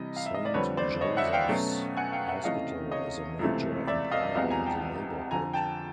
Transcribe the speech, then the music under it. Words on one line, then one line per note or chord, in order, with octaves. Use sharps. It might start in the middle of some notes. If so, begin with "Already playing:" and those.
"Saint Joseph's Hospital" is a major employer in the neighborhood.
Already playing: C3 E3 G3 D#5
F5
E5
D#5
D5
F2 D3 G3 C4 B4 C#5
C5 D5
C#5 D#5
E5 F#5
F5 G5
B2 F#3 A3 C#4
F#5 G#5
F5 G5
E5 F#5
C3 E3 A3 C#4 D#5 F5
C#5 D#5
C#2 C3 E3 A3
D5 E5
D#5 F5
C2 C3 F3 G#3 B3 D#5 F5
G#5 A#5
G5 A5
F2 D3 F3 G#5 A#5
G5 A5